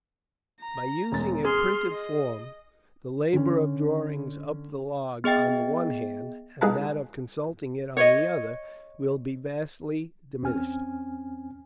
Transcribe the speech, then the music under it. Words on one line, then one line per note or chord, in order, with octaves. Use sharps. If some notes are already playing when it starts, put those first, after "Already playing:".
By using a printed form, the labour of drawing up the log on the one hand, and that of consulting it on the other, will be vastly diminished.
A#5
E1 A6
G#4 C6 F6
D#5
D3 C#4
B3 G#4 D#5 G5 A6
C2 D#4 G#4 B4 F5 A5
C#5 D#5
E2 C4 C#4 G#5 F6